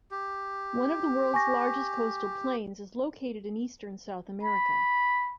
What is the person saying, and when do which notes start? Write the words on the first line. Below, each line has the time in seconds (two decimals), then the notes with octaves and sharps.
One of the world's largest coastal plains is located in eastern South America.
0.11 G4
1.34 G#5 C#6 A#6
4.43 B5